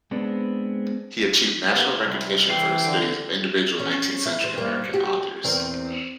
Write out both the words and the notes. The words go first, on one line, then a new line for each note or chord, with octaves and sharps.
He achieved national recognition for his studies of individual nineteenth-century American authors.
G#3 B3 C4 D4
C3 A#3 B3
C2
E3 C5 G5
D3
C#4
E4
C5
G2 A#3
F#4 G4
E2 C4 A#4